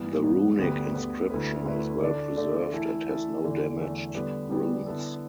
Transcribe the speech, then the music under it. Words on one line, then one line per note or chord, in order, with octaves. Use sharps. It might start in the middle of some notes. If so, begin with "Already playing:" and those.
The runic inscription is well preserved and has no damaged runes.
Already playing: G2 E3 B3
G2 E3 B3
D2 D3 B3 G4 B4
D2 D3 B3 G4 B4
D2 D3 A3 E4 B4
D2 D3 A3 E4 B4
D3 A3 D4
D3 A3 D4
E3 A3 E4 A4
E3 A3 E4 A4
E2 D3 A3
E2 D3 A3
D3 G3 B3 G4 B4
D3 G3 B3 G4 B4
D3 B3 E4 A4